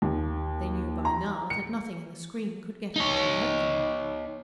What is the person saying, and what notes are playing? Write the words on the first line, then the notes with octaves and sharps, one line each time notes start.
They knew, by now, that nothing in the screen could get out and hurt them.
D#2
A#5
C#7
D#4 C#5